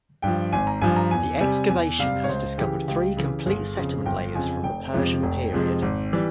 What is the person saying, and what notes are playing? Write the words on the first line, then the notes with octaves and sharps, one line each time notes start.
The excavation has discovered three complete settlement layers from the Persian period.
G2 F3 G5
G#1 G#5
A#5
G2 F3 G#5
A#5
E2 G#5
C3 G3 G#5
E2 G#5
C3 G3 F5
C#5
C#2 C5
C#3 E3 G4
C#2 G4
C#3 E3
G1 G#4
F2 C#3 F3
G1 G5
F2 C#3 F3 G#5
F1 G5
F2 C3 F3 G#3
F1
F2 C3 F3 G#3
G#1
E3 G3